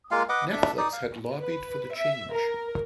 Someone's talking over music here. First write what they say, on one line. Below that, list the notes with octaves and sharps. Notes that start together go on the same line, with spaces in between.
Netflix had lobbied for the change.
G#3 A#3 F4 F5
B4 D#5 F#5 D6
D4 A4 E5
D#4 D5 D#6
F5
B4
E5
A#4